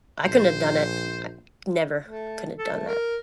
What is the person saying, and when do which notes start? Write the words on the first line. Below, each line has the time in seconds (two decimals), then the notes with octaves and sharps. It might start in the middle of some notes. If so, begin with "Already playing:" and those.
I couldn't have done it. I never couldn't have done that.
0.24 A#1 C5
2.05 A3
2.58 A4
2.72 A3
2.88 A#4